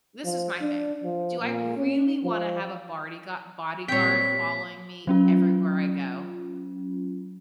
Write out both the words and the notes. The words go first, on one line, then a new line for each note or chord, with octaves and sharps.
This is my thing, do I really wanna have a bodygua- bodyguard following me everywhere I go?
F3
D4
F3
A#2
C#4
F3
A#2 G3 C4 C#5 G5 B6
F#3 C#4 F4